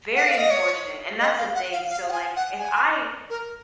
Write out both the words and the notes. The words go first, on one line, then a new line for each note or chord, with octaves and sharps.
Very unfortunate, and that's the thing, so, like, if I,
F#5
F5
D#5
C#5
D#5
F5
F#5
F5
F5
F#5
G#5
F#5
G#5
A#4